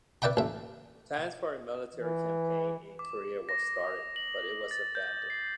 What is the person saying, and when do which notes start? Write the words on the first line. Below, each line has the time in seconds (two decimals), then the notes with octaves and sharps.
Plans for a military campaign in Korea were started, but it was abandoned.
0.22 B4 D5 E5 G5 B5
0.37 A1 E5
1.96 E3
2.99 D6
3.49 A#6
3.84 D#6
4.16 F#7
4.71 A6
4.95 G6
5.30 C7